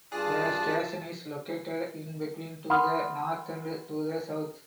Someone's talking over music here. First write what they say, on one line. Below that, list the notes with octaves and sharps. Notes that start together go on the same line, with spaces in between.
The station is located in between to the north and to the south.
G2 F4 G#4 D5 A5 F#6
F#5 B5 C6 D#6 F6